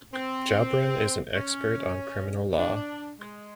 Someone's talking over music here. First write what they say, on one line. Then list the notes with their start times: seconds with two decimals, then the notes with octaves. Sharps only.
Joubran is an expert on criminal law.
0.12 C4
1.34 C#4
2.57 D4
3.18 G#3